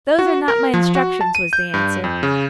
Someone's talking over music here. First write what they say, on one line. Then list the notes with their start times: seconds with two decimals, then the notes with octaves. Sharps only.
'Those are not my instructions,' was the answer.
0.19 F#4
0.48 A#4
0.74 F3
0.95 F#4
1.21 A5
1.35 D#7
1.53 G6
1.74 G2
2.04 F2
2.23 C#3